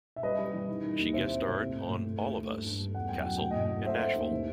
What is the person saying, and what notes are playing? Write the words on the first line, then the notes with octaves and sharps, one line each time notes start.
She guest starred on "All of Us", "Castle" and "Nashville".
E5
G3 B4 D#5
G3
E3
D#3
D#3
D#2
C2 C5 E5
C2
C2
A3
A2
A2
A3
D#2
A3
G2
G2
A3
E2 F#5
F#3 G5
F#3 F#5
A2 G5
A2 D#5 F#5
A3
A3 C5 E5
A3
D#2
E3